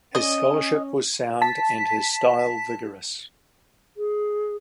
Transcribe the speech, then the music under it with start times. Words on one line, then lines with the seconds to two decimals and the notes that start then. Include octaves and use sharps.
His scholarship was sound and his style vigorous.
0.15 C#4 D#5
1.42 A5 B6
3.97 G#4